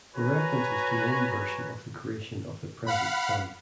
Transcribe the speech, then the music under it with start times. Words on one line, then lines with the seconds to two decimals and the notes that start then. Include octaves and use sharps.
The reference is to one version of the creation of the present Sun.
0.16 F#4 B4 C#5 G#5 A#5 B5
2.87 F5 F#5 B5